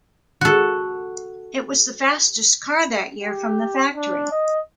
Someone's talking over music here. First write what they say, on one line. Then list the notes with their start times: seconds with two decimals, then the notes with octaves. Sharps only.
It was the fastest car that year from the factory.
0.41 F#4 A4
3.22 G4
3.95 D4
4.32 D#5